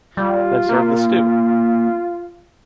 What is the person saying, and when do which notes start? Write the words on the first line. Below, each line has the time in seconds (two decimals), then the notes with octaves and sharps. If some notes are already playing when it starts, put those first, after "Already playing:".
Then serve the stew.
0.17 G3 F4
0.69 A#3